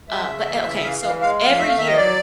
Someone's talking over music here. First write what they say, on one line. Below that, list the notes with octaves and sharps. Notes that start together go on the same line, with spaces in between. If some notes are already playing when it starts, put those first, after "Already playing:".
uh, but o okay, so, every year,
G#3 E5
C#3
E3
C#3
E3 F5
E3 F5
G#3 F5
F2 F5
A3 E5
F5
D#3 E5
D#5
F#3 D5